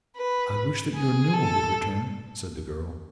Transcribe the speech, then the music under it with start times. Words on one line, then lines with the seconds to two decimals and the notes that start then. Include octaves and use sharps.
"I wish that your Numa would return," said the girl.
0.17 B4
0.96 G#4
1.34 A4